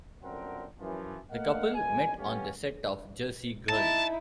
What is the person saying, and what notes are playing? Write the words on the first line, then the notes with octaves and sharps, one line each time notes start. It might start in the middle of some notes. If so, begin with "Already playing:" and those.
The couple met on the set of "Jersey Girl".
G1 F#2 D3 C4 A#4 F#5
F#2 E3 F3
A3 A#3 D#5 F5 F#5
C#2 B2 G#3 G#5
G3 A3 B3 C#4 F4 G4
D#4 E4 A5